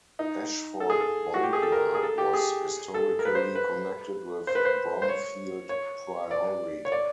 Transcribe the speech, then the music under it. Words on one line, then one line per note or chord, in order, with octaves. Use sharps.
Ashford Bowdler was historically connected with Bromfield Priory.
D#4
A4
G#4
A4
F#4
G4
G#4
A4
A#4
G#4
A4
G4
G#4
A4
A#4
B4
C5
B4
C5
B4
C5
C5
C#5
C#5
D5
C#5
D5